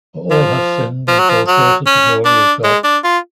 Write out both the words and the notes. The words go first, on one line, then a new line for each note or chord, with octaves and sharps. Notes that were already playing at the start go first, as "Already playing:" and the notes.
For all have sinned and fall short of the glory of God.
F3
F3
F#3
F3
F#3
C#4
D4
G#3
D4
F4